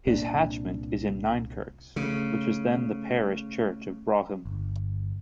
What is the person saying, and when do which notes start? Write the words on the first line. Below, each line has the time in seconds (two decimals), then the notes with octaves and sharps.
His hatchment is in Ninekirks, which was then the parish church of Brougham.
0.07 C2 A#2 D4
1.96 C#3 A3
4.45 G1